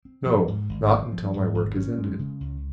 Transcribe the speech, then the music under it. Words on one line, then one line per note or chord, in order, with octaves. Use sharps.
"No; not until my work is ended."
C4
F3
G#2
G#1
C4
F3
G#2
G#1
C#4
G#3
C#3
C#2